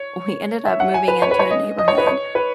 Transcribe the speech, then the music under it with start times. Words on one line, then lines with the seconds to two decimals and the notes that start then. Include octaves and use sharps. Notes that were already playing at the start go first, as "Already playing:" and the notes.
uh, we ended up moving into a neighborhood,
Already playing: C#5
0.66 E5
0.80 F#5
0.94 G#5
1.08 B4
1.22 C#5
1.31 B4
1.39 C#5
1.50 D#5
1.79 D#5
1.88 C#5
1.98 B4
2.07 C#5
2.35 B4